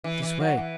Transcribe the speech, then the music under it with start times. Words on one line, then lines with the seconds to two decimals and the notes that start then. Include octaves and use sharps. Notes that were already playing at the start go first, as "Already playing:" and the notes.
"This way."
0.04 E3
0.23 E3
0.40 F#3
0.57 E3